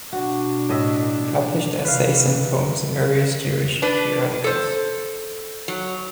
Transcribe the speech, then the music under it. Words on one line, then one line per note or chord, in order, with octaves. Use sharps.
He published essays and poems in various Jewish periodicals.
B2 D4 F#4
A2 D#5 E5
C3 E3 B4 F5
D4 B4
A4 C5
F#3